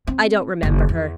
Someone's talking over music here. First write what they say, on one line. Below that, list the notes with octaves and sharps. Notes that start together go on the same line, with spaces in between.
I don't remember her.
C4
F#1 D#3
E2